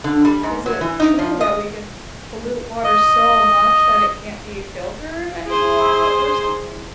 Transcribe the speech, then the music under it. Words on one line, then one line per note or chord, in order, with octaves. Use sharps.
is it true that we can pollute water so much that it can't be filtered anymore or something?
D3
G3
G#2
F#3
E3
D#4
F3
D#5
D#5
G#4 C5